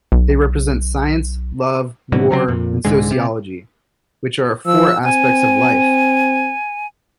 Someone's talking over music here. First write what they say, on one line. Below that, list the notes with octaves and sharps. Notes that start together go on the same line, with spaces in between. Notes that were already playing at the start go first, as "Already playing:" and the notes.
They represent science, love, war, and sociology, which are four aspects of life.
B1
G#2 B2 D3 F#3
C#3 F#3 A#3 C4
F2 A#2
C2 G#2 D3 G#3
C3
F3 E6
C4 G#5